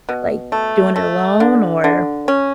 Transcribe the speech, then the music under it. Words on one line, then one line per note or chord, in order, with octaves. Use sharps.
like, doing it alone? Or
B2
A3
A3
D3
D3
C#4